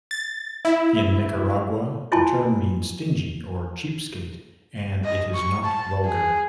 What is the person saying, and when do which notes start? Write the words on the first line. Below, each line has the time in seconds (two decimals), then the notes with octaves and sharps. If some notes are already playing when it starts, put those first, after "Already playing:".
In Nicaragua, the term means "stingy" or "cheapskate" and it is not vulgar.
0.11 A6
0.65 E4
2.12 E4 F4 G#5 A5 C6
5.04 D#5
5.34 C#6
5.64 A5
6.06 G#4